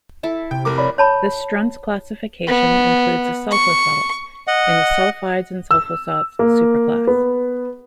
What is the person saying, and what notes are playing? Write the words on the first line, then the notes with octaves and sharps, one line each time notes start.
The Strunz classification includes the sulfosalts in a "sulfides and sulfosalts" superclass.
E4 A4 A5
C3 G5
F1 A#4 D6
C#5 D5 B5
C#5 A5 B5
B3
C#6
D#5 F#5
E6
A#3
B3